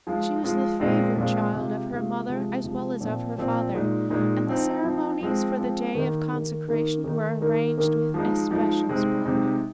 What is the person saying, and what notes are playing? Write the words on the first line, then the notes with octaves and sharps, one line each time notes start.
She was the favorite child of her mother as well as of her father, and the ceremonies for the day of consecration were arranged with especial splendor.
F3 G#3 F4
F3 G#3 F4
A#2 F3 G#3 C4 F4
A#2 F3 G#3 C4 F4
C3 G#3 F4
C3 G#3 F4
C3 F3 G#3
C3 F3 G#3
A#2 F3 C4
A#2 F3 C4
A#2 G#3 D#4
A#2 G#3 D#4
F3 C4 D#4
F3 C4 D#4
F3 G#3 C4
F3 G#3 C4
D#3 A#3 D#4
D#3 A#3 D#4
D#3 A#3 D#4
D#3 A#3 D#4
D#3 A#3 D#4
D#3 A#3 D#4
F3 G#3 D#4
F3 G#3 D#4
C3 G#3 C4 D#4
C3 G#3 C4 D#4